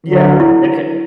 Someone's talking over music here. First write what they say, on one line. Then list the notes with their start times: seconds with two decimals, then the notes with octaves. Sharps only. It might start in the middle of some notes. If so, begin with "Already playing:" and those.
Yeah, it ha
0.10 D3 F#3
0.40 E4